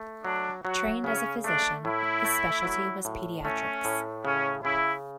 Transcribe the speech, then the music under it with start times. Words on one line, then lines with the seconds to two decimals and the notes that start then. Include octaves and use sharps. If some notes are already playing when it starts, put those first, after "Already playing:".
Trained as a physician, his specialty was pediatrics.
Already playing: A3
0.24 F#3 D4
0.64 F#3 F#4
1.04 C#3 C#4
1.44 A3 D4
1.85 A2 E4
2.25 A3
2.65 F#3
3.05 A2
3.45 A3 C#4
3.85 A2
4.25 C#3 C#4
4.64 C#3 E4